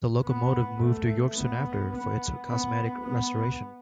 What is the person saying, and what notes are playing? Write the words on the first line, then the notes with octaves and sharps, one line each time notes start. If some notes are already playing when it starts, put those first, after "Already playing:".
The locomotive moved to York soon after for its cosmetic restoration.
B3
A3
B3
B3
B3
B3